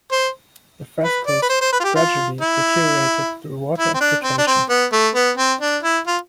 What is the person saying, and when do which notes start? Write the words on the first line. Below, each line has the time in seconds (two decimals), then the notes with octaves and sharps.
The frescoes gradually deteriorated through water infiltration.
0.12 C5
1.04 B4
1.26 D5
1.42 B4
1.49 C5
1.61 C5
1.73 B4
1.80 F4
1.84 G4
1.95 F4
2.41 E4
3.78 E4
3.94 C4
4.01 D4
4.23 C4
4.38 D4
4.47 C4
4.69 B3
4.93 A3
5.15 B3
5.38 C4
5.61 D4
5.83 E4
6.07 F4